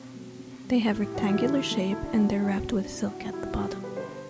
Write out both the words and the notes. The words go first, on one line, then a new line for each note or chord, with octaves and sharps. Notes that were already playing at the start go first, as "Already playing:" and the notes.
They have rectangular shape and they’re wrapped with silk at the bottom.
Already playing: B2 C4
F#3 A3
C3
G3
A2 E4
G4
E3 G3 F#4
E4
D3
F#3 A3
D3 E4
D4
G3 F#4
F#4
A2 F#4
C4
G3 D4
D4
D3 E4
F#4
G3 F#4
E4
B2 F#4
G4
G3 G4
B4
D3 C5